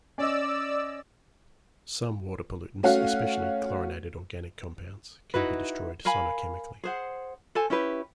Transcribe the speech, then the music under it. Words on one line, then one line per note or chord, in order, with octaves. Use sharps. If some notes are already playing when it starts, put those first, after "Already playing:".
Some water pollutants, especially chlorinated organic compounds, can be destroyed sonochemically.
C#4 D5 D#5 E6
A3 C#4 F#4 F5
D#4 E4 F#4 B4
A#4 F5 G#5 B5
G#4 C5 F#5
A4 C5 G#5 A5
C#4 E4 G4 B4